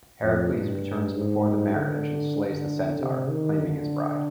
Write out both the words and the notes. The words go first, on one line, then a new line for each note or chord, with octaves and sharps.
Heracles returns before the marriage and slays the centaur, claiming his bride.
F2
G2
G#2
D3
D3
C3
D#3
D3